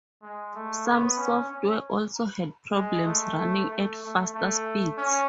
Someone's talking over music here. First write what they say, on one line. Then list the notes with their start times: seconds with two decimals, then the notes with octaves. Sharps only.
Some software also had problems running at faster speeds.
0.22 G#3
0.55 A3
0.86 B3
1.18 C#4
1.50 C#4
2.75 G#3
3.07 A3
3.38 A3
3.70 A3
4.03 A3
4.34 A3
4.97 C#4